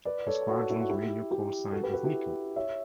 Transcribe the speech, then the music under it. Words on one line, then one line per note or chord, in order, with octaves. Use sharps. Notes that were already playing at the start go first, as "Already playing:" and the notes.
The squadron's radio call sign is "Nikel".
B4 D5
A4 C#5
F#4 A4
E4
F#4
E4 G4
E4 G4
F#4 A4
G4 B4
G4 B4
E4 G4
C#5 E5